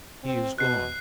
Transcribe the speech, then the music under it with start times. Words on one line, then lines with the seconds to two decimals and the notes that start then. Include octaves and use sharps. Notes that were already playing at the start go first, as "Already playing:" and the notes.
He is gone!
0.23 C4
0.58 B2 F#6 C7